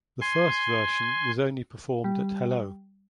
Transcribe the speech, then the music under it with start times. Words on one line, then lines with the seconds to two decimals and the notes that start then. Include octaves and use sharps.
The first version was only performed at Hello!
0.21 G#5 C6
2.04 G3